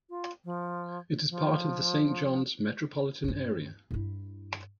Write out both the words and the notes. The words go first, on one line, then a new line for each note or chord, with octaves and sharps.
It is part of the Saint John's Metropolitan Area.
F4
F3
F3
G2 C#4
G2 E4